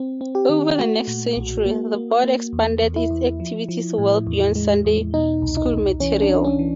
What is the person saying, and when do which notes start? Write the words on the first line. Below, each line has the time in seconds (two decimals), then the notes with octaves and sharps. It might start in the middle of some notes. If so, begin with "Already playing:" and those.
Over the next century, the board expanded its activities well beyond Sunday School material.
Already playing: C4
0.21 C4
0.35 G4
0.49 D#3
0.79 A3 F#4
1.08 A#2
1.36 B1
1.66 A#3
1.95 A#3
2.24 A#3
2.53 E2
2.82 E2
2.96 E4
3.11 E2
3.40 F3
3.69 F3
3.98 A2
4.27 E2
4.56 G#3
4.85 E2
5.14 B2 D#4
5.42 C2
5.57 D#4
5.72 C2
6.00 E3 C#4
6.22 D4
6.30 E3
6.44 C#4
6.59 E3